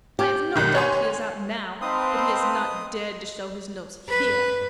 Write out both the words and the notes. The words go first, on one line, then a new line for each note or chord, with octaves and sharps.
I have no doubt he is out now, but he has not dared to show his nose here.
G4
B1 D#3
C#5 G#5 C6
C4 D#4 B4 F5 A5 B5 C6 D#6
B4